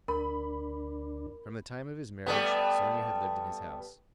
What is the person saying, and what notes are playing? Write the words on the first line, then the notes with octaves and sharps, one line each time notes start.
From the time of his marriage Sonya had lived in his house.
D2 D4 A#4 B5
G3 A3 B3